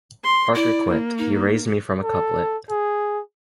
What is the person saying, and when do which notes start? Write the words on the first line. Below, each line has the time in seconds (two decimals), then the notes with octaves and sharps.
Parker quipped, He raised me from a couplet.
0.24 C6
0.55 E4 D5
0.89 A#3
1.18 D#4
2.03 A4
2.70 G#4